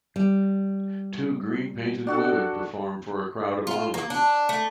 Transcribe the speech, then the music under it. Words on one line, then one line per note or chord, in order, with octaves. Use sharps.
Two green painted women perform for a crowd of onlookers.
G3
D4 F#4 A4
F4
A#3
D4
A3